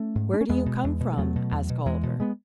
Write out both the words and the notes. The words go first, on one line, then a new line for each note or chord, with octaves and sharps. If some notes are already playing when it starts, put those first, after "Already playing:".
"Where do you come from?" asked Calder.
Already playing: A3 C#4
G#2
D4
C#4
E2 G#3 B3
B2
E2
B2
G#3
E2 F#3 A3
B2
E2
B2
E2 E3 G#3
B2
G#3 B3